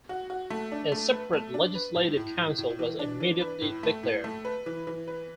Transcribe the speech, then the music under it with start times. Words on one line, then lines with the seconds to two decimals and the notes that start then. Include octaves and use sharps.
A separate legislative council was immediately declared.
0.09 F#4
0.30 F#4
0.50 A3
0.72 D4
0.92 A3
1.12 B4
1.33 A3
1.54 D4
1.75 B4
1.95 A2
2.17 A2
2.37 A2
2.58 A2
2.79 E3
2.99 D4
3.20 E3
3.41 B4
3.62 A2
3.83 A3
4.03 A2
4.24 A3
4.45 B4
4.66 E3
4.87 E3
5.08 B4